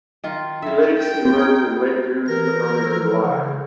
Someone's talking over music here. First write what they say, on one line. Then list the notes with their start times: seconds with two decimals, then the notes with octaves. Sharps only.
Alates emerge in late June to early July.
0.24 D#3 F4
0.62 E4 E5
0.97 G5
1.36 D#4
2.27 E3 A#4 A#6
2.85 E3 F3 A4
3.26 C#3